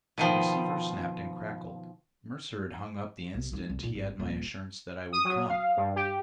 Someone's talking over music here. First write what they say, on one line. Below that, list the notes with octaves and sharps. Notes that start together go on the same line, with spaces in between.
The receiver snapped and crackled; Mercer had hung up the instant he had my assurance that I would come.
B2 D#3 F3
B1 C3
G#3 D#4
C2
A#2 D#4
G#1
D#1
D#6
F#3
F5
G2
G4